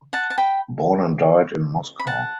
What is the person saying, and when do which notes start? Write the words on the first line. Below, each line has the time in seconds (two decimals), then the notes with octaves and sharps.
Born and died in Moscow.
0.13 F#5 A5
0.30 A5
0.38 G5 B5
1.99 B5
2.07 F#5 A5